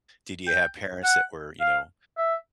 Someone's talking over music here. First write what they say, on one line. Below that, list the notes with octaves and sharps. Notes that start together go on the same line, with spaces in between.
Did you have parents that were, you know,
G5
F#5
F5
E5